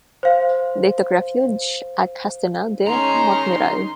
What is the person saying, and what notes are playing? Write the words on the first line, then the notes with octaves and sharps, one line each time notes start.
They took refuge at Castelnau-de-Montmiral.
C5 F5
D#3 G#3 C#4 D#4 A#5 C6